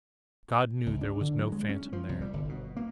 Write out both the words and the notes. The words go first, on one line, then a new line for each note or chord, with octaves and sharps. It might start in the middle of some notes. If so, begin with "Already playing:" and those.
God knew there was no phantom there!
C#2
D4
D3
F#3
G#3
C#4
F3
C2
G3
G1
B2
A#3